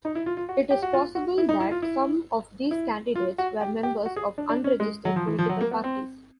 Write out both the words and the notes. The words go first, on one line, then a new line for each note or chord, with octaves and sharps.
It is possible that some of these candidates were members of unregistered political parties.
D#4
E4
F4
F4
F#4
G4
F#4
F4
F#4
E4
D#4
E4
F4
E4
E4
F4
F#4
G4
G4
F#4
G#4
D4
D4
C#4
G#3
F#3
F3
E3
F3
F#3
A#3
B3
C4